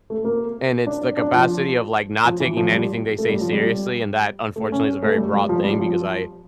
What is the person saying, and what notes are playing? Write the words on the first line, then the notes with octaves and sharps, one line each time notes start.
And it's the capacity of, like, not taking anything they say seriously, and that unfortunately is a very broad thing because I
A3
A#3
D4
D4
D4
F3
F3
E3
F3
G3
A3
G3
F3
G3
A3
C#4
A3
G3
G3
F3
G3
F3